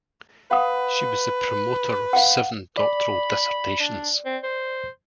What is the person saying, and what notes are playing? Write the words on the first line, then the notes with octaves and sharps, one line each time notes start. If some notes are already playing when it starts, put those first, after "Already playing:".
She was the promoter of seven doctoral dissertations.
B4 F5 F#5 D#6
F5 F#5
D5 B5
D4
C4
C5